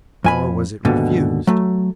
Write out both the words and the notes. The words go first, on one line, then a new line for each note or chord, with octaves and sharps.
Nor was it refused.
F2 G#5 B5
D#2 G#2 B2 D3
F#3 A3